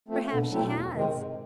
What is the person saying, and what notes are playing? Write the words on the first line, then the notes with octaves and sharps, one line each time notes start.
Perhaps she has.
F3 A3 C4
B2 D3
F#3 A3 C4 E4
E2
C3 D#3 G#3 C4
G#2